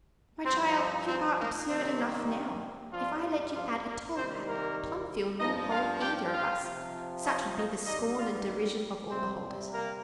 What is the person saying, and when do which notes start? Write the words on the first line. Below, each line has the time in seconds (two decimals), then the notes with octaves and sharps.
'My child, you are absurd enough now; if I let you add a tall hat, Plumfield wouldn't hold either of us, such would be the scorn and derision of all beholders.
0.45 G2 F3 C4
0.76 C4
1.07 C4
1.38 A#3
1.68 C3 D#3 G3 C4
2.92 G2 F3 G3 F4
3.54 F3 F4
3.85 A#3 A#4
4.16 C3 D#3 G3 C4 C5
4.47 A#3 A#4
5.39 G2 F3 D#4 D#5
5.70 F4 F5
6.01 G4 G5
6.32 F4 F5
6.63 C3 F3
7.25 D#4 D#5
7.55 D#4 D#5
7.86 G2 D#3 G3 D#4 D#5
8.17 F4 F5
9.10 C3 G3 C4 C5
9.71 A#3 A#4